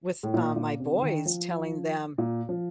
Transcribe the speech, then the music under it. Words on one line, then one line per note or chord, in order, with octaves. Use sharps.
with, um, my boys, telling them,
A2
A#2
A#2
C3
D3
D#3
F3
A#2
F3